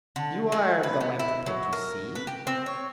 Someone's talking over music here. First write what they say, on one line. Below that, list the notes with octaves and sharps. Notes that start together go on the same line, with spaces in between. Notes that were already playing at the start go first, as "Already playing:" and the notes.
"You are going to put to sea?"
D3
G#3
B4
B3
E4
F#3
A#4
B4
G4
C4
C#5